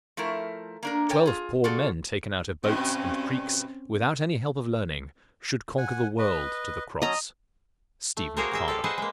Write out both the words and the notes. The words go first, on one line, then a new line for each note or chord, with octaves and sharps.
Twelve poor men taken out of boats and creeks, without any help of learning, should conquer the world to the cross. --STEPHEN CARNOCK.
F3 A3 E4 A#4
A#3 D4 A#4
A4 A#4 C#5 G5 G#5
F4 G#4
F4 F#4 G#4 A4 D5
G2 B2 C4 C#4
F#5 G#5
B4 D#5
F#3 C#4 D#5 A5 A#5
A3
A#3 F#4 G#4 A#4 C5 C#5
G4 G#4 E5
F4 G4 A4
G#4 B4 C5 D#5 E5 F#5
G#3 A#3